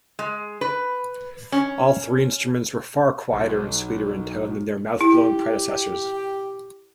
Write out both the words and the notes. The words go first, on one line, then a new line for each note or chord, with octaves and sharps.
All three instruments were far quieter and sweeter in tone than their mouth-blown predecessors.
G#3
B4
C#4
B1
E4 G4